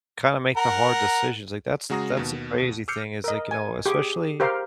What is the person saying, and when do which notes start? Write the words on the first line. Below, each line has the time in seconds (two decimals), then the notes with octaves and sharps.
kinda make the hard decisions, like, that's that's the crazy thing is, like you know, especially
0.57 A#4 F#5 A#5
1.90 C#3 G#3 F#4 A#5 D#6 A#6
2.17 D#2 B2
2.88 D6 E6 F6 G6 C7 C#7
3.24 A#4 D#5
3.51 G#5
3.86 G4 G#4
4.40 G4 A#4 C5 F5